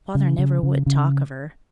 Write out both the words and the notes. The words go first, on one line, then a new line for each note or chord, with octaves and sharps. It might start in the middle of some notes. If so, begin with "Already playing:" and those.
Father never would talk of her.
C#3
C#3
C#3
C#3